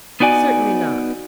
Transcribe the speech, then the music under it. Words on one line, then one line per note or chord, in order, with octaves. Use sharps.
Certainly not.
B3 D#4 F#4 D5 G#5